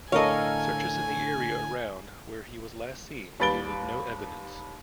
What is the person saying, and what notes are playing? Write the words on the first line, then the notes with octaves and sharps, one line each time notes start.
Searches in the area around where he was last seen yielded no evidence.
A2 D3 A4 A#4 C#5 D#5 F5 G#5
D#2 G3 B4 A6 D7 G7